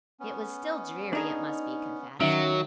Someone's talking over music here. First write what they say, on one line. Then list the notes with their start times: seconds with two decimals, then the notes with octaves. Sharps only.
It was still dreary, it must be confessed.
0.20 B3 C#4
1.13 D4 D#4 G#4
2.20 D#3 F#3 C#4 E5 D7